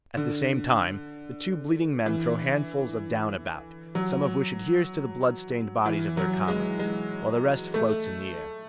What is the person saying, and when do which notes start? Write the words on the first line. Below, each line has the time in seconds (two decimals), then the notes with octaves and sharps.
At the same time the two bleeding men throw handfuls of down about, some of which adheres to the blood-stained bodies of their comrades, while the rest floats in the air.
0.17 D3
2.06 E3
3.95 F#3
5.86 E3
6.17 F#3
6.48 G#3
6.79 G#3
7.74 A3